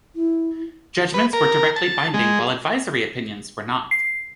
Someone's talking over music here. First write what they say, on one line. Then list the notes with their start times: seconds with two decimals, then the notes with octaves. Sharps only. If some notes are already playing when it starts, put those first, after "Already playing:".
Judgments were directly binding while advisory opinions were not.
0.15 E4
1.14 B4
1.33 A#4
1.76 A5
2.14 G#3
3.91 C7